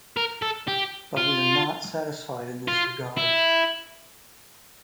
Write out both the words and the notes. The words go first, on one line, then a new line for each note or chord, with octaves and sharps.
But we are not satisfied in this regard.
A#4
A4
G4
F4
F4
E4